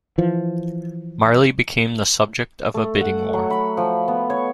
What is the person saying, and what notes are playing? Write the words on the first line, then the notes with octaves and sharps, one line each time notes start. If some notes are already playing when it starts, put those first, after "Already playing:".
Marley became the subject of a bidding war.
E3 F3
A3
F#5
F#3
B5
F3
B3
C#5